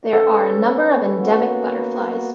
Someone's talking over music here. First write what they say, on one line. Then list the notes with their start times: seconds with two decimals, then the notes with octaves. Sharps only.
There are a number of endemic butterflies.
0.13 D#3 C#4 A4 B4
1.19 A#3 B3 F#4